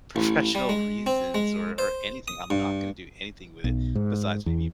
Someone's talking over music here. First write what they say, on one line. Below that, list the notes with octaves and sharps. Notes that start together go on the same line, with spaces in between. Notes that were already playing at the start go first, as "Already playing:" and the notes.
professional reasons, or or anything. I'm not going to do anything with it, besides maybe
A1
G3
G#3
C4
G#3
C5
D#6
G2
B1
G#2
E2